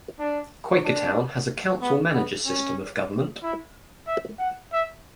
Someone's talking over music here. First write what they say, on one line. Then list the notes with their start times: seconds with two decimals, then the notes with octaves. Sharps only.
Quakertown has a council-manager system of government.
0.19 D4
0.84 D4
1.81 B3
2.13 B3
2.45 C#4
3.43 E4
4.07 E5
4.39 F#5
4.72 E5